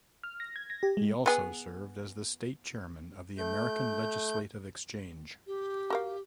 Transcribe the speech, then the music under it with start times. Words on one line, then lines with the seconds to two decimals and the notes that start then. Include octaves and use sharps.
He also served as the state chairman of the American Legislative Exchange.
0.24 F6
0.40 A#6
0.56 G#6
0.70 A#6
0.83 G4
0.97 G#3
1.26 B3 G#4
3.38 A3 G6
5.47 G4
5.90 F#4 A#4 F5